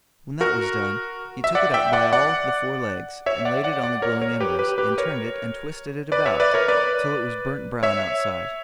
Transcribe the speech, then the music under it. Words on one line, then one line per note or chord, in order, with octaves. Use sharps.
When that was done, he took it up by all the four legs, and laid it on the glowing embers, and turned it and twisted it about till it was burnt brown outside.
F#4 A#4
E5
D5 F#5
E5 G5
D5 F#5
D5 F#5
C#5 E5
D5 F#5
D5 F#5
D5 F#5
A#4 C#5
A#4 C#5
G4 B4
G4 B4
G4 B4
A#4 C#5
B4 D5
C#5 E5
B4 D5
A#4 C#5
B4 D5
C#5 E5